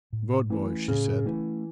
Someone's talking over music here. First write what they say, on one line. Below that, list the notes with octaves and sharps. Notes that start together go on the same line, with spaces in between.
"Good boy!" she said.
A2
E3 A3 C#4
A2 C#3
E3 A3 C#4